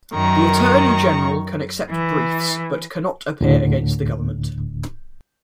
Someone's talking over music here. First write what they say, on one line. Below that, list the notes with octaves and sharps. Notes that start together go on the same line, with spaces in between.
The Attorney General can accept briefs but cannot appear against the Government.
F#2 D#3 A#5 C#6
E3
D2 A2 D3